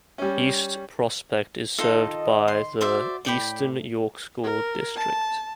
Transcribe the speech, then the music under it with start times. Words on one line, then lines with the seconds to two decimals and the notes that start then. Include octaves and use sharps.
East Prospect is served by the Eastern York School District.
0.18 G3 C#4
1.78 D#3 D#4 F4 A4 D#5
2.48 C6
2.81 F#4 C5 D5 E5
3.25 A2 D5 G5 B5
4.43 A#4
4.96 A5